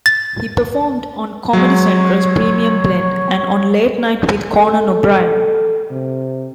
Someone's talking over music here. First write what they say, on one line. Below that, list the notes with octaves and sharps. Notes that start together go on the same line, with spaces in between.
He performed on Comedy Central's "Premium Blend" and on "Late Night with Conan O'Brien".
A6
F#3 G#3 C#5
A4
C3